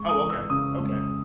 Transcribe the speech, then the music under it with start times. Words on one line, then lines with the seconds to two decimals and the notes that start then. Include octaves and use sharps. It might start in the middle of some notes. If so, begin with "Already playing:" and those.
Oh, okay, okay.
Already playing: G#3 C#6
0.09 D#6
0.20 E3
0.30 E6
0.50 C#3 D#6
0.80 G#3